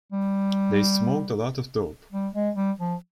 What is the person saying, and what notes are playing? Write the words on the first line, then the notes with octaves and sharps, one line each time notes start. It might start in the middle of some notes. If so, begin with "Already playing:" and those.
They smoked a lot of dope.
G3
G3
G#3
G3
F3